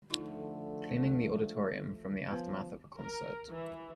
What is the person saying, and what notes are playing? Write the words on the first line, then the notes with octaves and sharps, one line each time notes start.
Cleaning the auditorium from the aftermath of a concert.
D3 F3 A3 D#4 F4
F3 B3 B4
A#4
E3